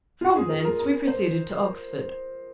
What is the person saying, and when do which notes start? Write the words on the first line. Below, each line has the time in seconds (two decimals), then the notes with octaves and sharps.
From thence we proceeded to Oxford.
0.21 F4
0.36 G#4
0.50 A#4
0.65 A#4
0.79 A#4
1.07 C5